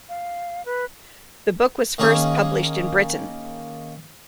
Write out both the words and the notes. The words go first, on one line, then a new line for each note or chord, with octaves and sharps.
The book was first published in Britain.
F5
B4
D#3 A#3 C#4 G#4